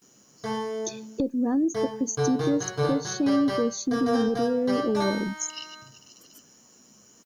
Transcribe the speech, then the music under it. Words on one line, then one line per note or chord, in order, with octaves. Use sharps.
It runs the prestigious Hooshang Golshiri Literary Awards.
A3
A3
D3
D#3
F#3
D3
D#3
F#3
G3
G3
A#3
A#3
C4
A#3
G3
D4
D#4